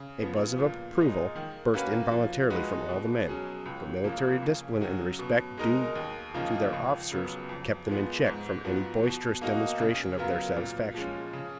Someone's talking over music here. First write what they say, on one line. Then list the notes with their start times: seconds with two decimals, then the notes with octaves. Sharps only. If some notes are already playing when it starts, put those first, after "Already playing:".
A buzz of approval burst involuntarily from all the men, but military discipline and the respect due to their officers kept them in check from any boisterous demonstration of their satisfaction.
Already playing: C#3
0.20 F3 B3
0.59 A#2
0.97 G#3 D#4
1.36 D#3
1.74 A#3 C#4 F#4 B4
2.12 F3
2.50 G#3 D#4 F#4 B4
2.89 B2
3.27 F#3 C#4 G#4
3.66 C#2
4.04 C#3 F3 A#3
4.43 C#3
4.81 F#3 C#4 F#4
5.19 B2
5.58 G#3 D#4 A#4
5.96 D#2
6.34 C#3 F3 A#3 D#4
6.73 C#2
7.11 C#3 F#3 B3
7.49 F2
7.88 F3 G#3 B3
8.26 G#2
8.65 F3 B3 F#4
9.03 B2
9.41 A#3 D#4 F#4
9.80 C#3
10.18 F#3 B3 F4 A#4
10.56 A#2
10.95 F3 G#3 C#4
11.33 C#3